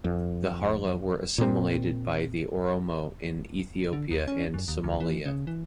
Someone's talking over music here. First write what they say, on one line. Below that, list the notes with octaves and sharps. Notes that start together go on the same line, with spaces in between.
The Harla were assimilated by the Oromo in Ethiopia and Somalia.
F2
A#2 C4
D3
D#2
C#4
F#2
D#2
D2
E3
C#3
E3